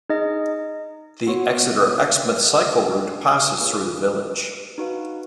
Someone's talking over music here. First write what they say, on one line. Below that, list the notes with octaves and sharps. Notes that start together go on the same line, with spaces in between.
The Exeter-Exmouth cycle route passes through the village.
D#4 G#4 D#5
B3 F#4 C#5 F#5
G#4 D#5 F#5
A#3 F4 G#4 B4
D#4 F#4 B4 F5